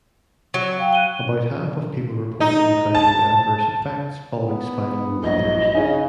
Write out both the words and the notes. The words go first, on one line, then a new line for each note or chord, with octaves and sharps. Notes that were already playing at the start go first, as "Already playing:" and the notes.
About half of people reported encountering adverse effects following spinal manipulation.
F#3
F5 G5
F#6 D#7 G7
D#4
A5
B3 E4
A#1 F#3 D#5
C#3 D#4 G#4 C#5 G#5